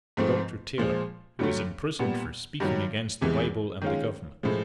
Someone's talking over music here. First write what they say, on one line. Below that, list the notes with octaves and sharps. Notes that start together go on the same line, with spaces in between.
Dr. Taylor, who was imprisoned for speaking against the bible and the government.
G#2 F3 A3 C4
A#2 F3 G#3
G2 D3 F#3 A3
A#2 G3 B3
G2 D#3 F#3
E2 C3 E3 G#3
D#3 G#3 C#4 F4
A2 F3 G#3